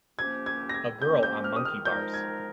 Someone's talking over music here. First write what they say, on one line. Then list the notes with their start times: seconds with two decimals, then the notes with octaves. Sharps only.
A girl on monkey bars.
0.18 C3 F3 A#3 C#4 G4 G#6
0.46 G#6
0.69 A#6
0.74 G#6
1.02 C3 F3 A#3 C#4 G4 G6
1.23 G6
1.44 F6
1.56 D#6
1.65 F6
1.85 A#2 F3 G#3 D#4 A#4 G6
2.14 G#6